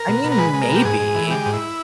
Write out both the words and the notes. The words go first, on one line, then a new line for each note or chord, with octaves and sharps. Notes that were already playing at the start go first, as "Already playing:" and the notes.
I mean, maybe.
Already playing: A#4
B2
B2
A#4
G#3 B4
G#3
A#4
B2
G4
G#2 G#4
G#2
E3
G#3 G4
G#2
E4